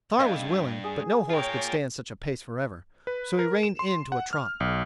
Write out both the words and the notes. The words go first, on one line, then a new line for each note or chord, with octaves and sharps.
Star was willing, but no horse could stand such a pace forever, so he reined in to a trot.
G2 D3 D#5 F5
G#4
F4 A#4 C#5 G5
B4
A#4
E7
C6
F#5
F6
B1